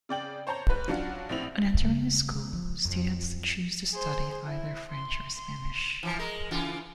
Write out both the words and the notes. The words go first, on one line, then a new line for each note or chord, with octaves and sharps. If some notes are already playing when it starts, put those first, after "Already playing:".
On entering the school students choose to study either French or Spanish.
C#3 D5 G5 F#7
C5 C#5 A5 A#5 G6
G#2 B4 F#6
F#3 C#4 D4 F4 F#4 F#5
A#1 A2 C4 E4 F7 F#7
C#3 G#3
G#3
F3
F2
G#4 C5
E4
C6
C6
E3 F3
G#3 A#4
C#3 E3 F4